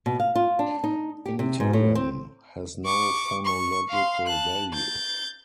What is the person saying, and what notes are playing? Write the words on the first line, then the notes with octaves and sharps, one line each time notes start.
In Italian, has no phonological value.
B2
F5
F4
D4
D#4
G4
C3
G#2
A2
C4
C#6 D6
C#6
F5 C6
A5 F#6
G6 A6